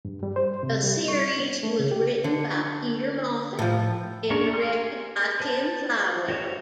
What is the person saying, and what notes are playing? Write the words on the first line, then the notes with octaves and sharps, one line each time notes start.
The series was written by Peter Moffat and directed by Tim Fywell.
G2
G3
C5
C3
G3
C#6
B3
A3
C#3
G4
D3
A2 F3
A#3 C#4 D4 A#4 C#6
G4 G#5 C6 D#6 F6
B4 C5 A5
F#4 G4 C5 C#5